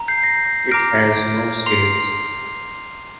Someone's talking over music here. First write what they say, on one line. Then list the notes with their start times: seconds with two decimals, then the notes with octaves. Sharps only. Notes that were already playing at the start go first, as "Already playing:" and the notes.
It has no scales.
Already playing: A#5
0.08 G6 C7
0.24 A#6
0.71 A#5 D6 F6 A#6 D7
1.66 C6 C7 F7